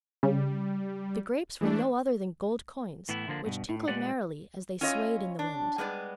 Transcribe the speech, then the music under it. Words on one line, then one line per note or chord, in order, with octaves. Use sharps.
The grapes were no other than gold coins which tinkled merrily as they swayed in the wind.
C#3 G3
E3 A3 D4
A2 E3 B3 E4
D3 F3 A#3 D4
G2 B2
A2
A#2 G#3 G4 B4 D5 F#5
C#4 E4 F4 C#5 D#5
D4
G3 G#3 B3 D5